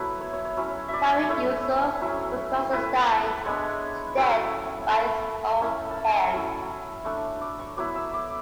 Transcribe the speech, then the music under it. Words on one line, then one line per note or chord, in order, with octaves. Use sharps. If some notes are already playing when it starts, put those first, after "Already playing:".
Kara Yusuf put Constantine to death by his own hand.
Already playing: F#3 B3 E4 A4 B4
C#5
C#5
C#5
F#3 C#4 E4
E5
D5
E5
C#5
A3 E4 C#5
F#3 C#4 E4
A3 E4 B4
G#3 B3 D4 C#5
F#3 A3 C#4 E4 A5
A3 E4 B5
A3 C#4 E4 C#6
A5
B5
C#6
C#6
F#3 C#4 E4 B5
A3 D4 C#6
D6
C#6
F#3 B3 E4 D6
E6
D6